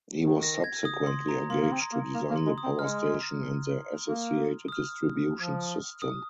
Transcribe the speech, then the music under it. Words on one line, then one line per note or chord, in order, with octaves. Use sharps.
He was subsequently engaged to design the power station and the associated distribution system.
D#3
A#6
G#6
D#6
C6
A#5
A#3 C6
A#3
C4
A#5
A#3
A#3 A#5
A#3
C6
G#3
D#6
C4
G#3 F6
A#3
D#6
F6
F3
D#6